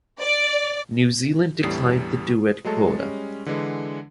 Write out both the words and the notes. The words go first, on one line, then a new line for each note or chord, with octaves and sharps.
New Zealand declined the duet quota.
D5
E2 A2 G3 D4 D#6 C7
F#3 G#3 A3 A4
G3 G#3 C#4
D3 E3 G#3